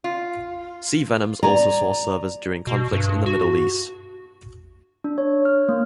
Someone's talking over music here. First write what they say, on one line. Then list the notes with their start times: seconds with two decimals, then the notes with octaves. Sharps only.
Sea Venoms also saw service during conflicts in the Middle East.
0.04 F4
1.43 D5 G#5 A#5
2.67 B2
2.93 G2
3.26 F#4
5.04 D4
5.18 C#5
5.45 F6
5.69 A#3